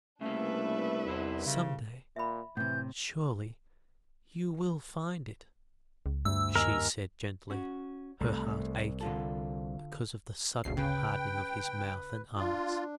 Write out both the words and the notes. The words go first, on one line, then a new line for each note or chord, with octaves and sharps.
"Some day--surely--you will find it?" she said gently, her heart aching, because of the sudden hardening of his mouth and eyes.
C2 C#3 A3 A#3 D4 B4 E5
E2 D#4 E4 C5
C#3
A#2 E5 B5
A2 C3 E3 G6
C#2
D2 G2 E6
D#2 A#4 D#5 G#5
C#4 F#4
C2 A3
D3 F4 A4
G1 D2 C#3 C7
C#3 B4 G5
D4 F4